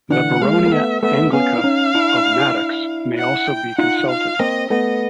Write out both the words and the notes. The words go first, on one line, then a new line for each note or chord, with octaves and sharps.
The "Baronia Anglica" of Madox may also be consulted.
D3 E3 F#5
B3
G#3 A#3 F5
A#3
A3 B3 E5
A3 B3 E5
B3 C#4 F5
E4
C#4 D#4
D4 E4
F#5
G5
D#4 F4 F#5
F5
A#3 C4 D#5
A3 B3 D#5